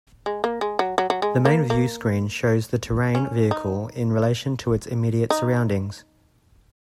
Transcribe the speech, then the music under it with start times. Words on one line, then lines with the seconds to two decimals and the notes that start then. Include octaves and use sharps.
The main view screen shows the terrain vehicle in relation to its immediate surroundings.
0.26 G#3
0.44 A#3
0.61 G#3
0.79 F#3
0.98 F#3
1.10 F#3
1.22 G#3
1.45 A#3
1.70 A#3
3.15 C#4
3.51 D#4
5.30 D#4